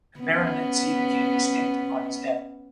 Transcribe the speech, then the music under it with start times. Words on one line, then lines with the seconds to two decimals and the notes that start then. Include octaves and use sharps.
The baronetcy became extinct on his death.
0.20 B3 C#4